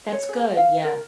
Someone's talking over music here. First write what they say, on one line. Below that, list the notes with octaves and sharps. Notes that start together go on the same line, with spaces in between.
That's good. Yeah.
C#5
G#4
F5
A#4